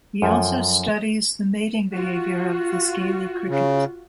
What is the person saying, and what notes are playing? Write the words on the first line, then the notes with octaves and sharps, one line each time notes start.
He also studies the mating behaviour of the scaly cricket.
F#2 F3 A4 G5 G#5
F4 F#4
C#3